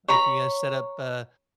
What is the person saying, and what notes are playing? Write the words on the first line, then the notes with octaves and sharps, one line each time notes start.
Like you're gonna set up, uh,
C#5 A#5 B5